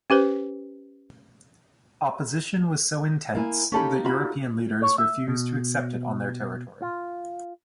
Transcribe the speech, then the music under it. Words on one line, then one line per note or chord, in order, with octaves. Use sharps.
Opposition was so intense that European leaders refused to accept it on their territory.
C#4 G4 B4 C5
A#3 E4 G#5
A#3 C#4 D#4 G4 A4 B5
F4 F#4 B5
C#5
E5
B2
F4